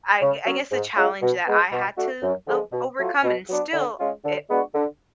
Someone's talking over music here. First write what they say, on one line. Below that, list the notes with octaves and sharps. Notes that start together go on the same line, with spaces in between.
I g I guess the challenge that I had to o overcome and still i a
C#3
F#3 C#4
G#2
G#3 C#4 F4
B2
G#3 B3
B2
A3 D4 F#4
F#2
D3 F3 G#3
B2
F#3 A3 F4
B2
F#3 B3 D4
D3
G#3 C#4 F4
D3
G#3 B3 D4 F#4
D3